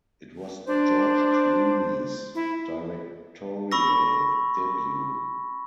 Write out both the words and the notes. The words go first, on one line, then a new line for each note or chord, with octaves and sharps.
It was George Clooney's directorial debut.
D4 C5
E4
B5 C#6 E6 A#6